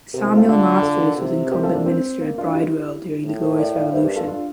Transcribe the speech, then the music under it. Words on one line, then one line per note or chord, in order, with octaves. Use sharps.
Samuel Masters was incumbent minister at Bridewell during the Glorious Revolution.
C3 G4 A#4
E4 G4
F4 A4
D3 F4 A4
F4 A4
C3
G4 A#4
F4 A4
A#3 D4
C4
A#3
D4 F4
E4 G4
A2
A4 C5
A#4 D5
D5 F5
G2 C5 E5
G4 A#4
F4 A4
D4 F4